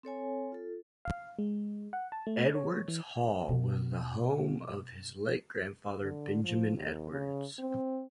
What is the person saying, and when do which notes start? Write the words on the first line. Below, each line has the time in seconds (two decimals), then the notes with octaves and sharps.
"Edwards Hall" was the home of his late grandfather, Benjamin Edwards.
0.03 C4 A4 C#5 G#5
0.52 F4 A4
1.05 F5
1.39 G#3
1.93 F#5
2.12 A5
2.27 A3
2.55 C#5
2.88 E3
3.49 B2 C#4
6.02 D3
6.44 F3
6.77 D#2
7.11 C#3
7.59 C4